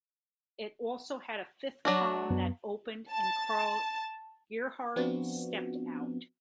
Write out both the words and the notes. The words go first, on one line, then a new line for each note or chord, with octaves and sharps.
It also had a fifth column that opened and Karl Gerhard stepped out.
F#3 D4 F#4
F#2 B3
A5
F3 B3 C4 D4 F4 F#4